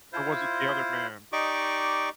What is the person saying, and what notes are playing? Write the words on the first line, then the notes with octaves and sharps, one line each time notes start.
Or was it the other man?
E4 F4 C5
D#4 G4 D5 D#5 C#6 D6